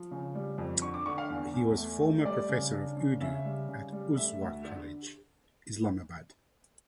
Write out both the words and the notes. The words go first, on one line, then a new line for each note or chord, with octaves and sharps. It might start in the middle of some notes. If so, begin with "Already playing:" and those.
He was former professor of Urdu at Uswa College Islamabad.
Already playing: F3
C#3
G3
F2
D3 C#6
D6
D3 C#6
F5
E2
E2
A3
A3
G3 D5
C#3
D4
C#3
C#3 E5
G3
C#3
G3
A3 E5
D2
D3